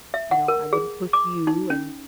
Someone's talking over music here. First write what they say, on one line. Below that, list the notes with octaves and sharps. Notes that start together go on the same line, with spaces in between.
you know, "I wouldn't push you and
E5
F#5
A#4
G#4
D6
D#4
C#4